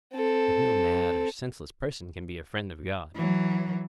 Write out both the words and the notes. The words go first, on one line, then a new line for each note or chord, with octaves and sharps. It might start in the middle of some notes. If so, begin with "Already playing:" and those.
But no mad or senseless person can be a friend of God.
C4 A4
E3 F#3